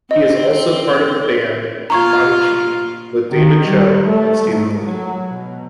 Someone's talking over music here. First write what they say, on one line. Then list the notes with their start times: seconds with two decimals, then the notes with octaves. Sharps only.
He is also part of the band Mangchi with David Choe and Steven Lee.
0.11 C4 D#5
1.90 A#2 F4 A#5 C#6 G#6
3.32 D#3
3.68 G3
4.05 A3
4.50 G#2
4.85 F#3
5.27 B2